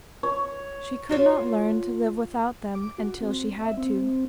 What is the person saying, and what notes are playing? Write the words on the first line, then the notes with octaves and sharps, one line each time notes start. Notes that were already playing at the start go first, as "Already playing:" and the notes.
She could not learn to live without them until she had to.
C#5
F4 F#4 C#5
D6
F#4
C4
E5
C4